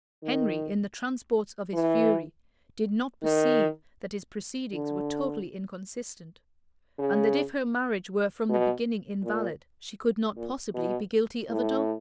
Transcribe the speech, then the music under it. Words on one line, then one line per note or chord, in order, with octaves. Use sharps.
Henry, in the transports of his fury, did not perceive that his proceedings were totally inconsistent, and that if her marriage were from the beginning invalid, she could not possibly be guilty of adultery.
D#3
E3
D#3
D3
C#3
B2
A#2
A#2
B2
A2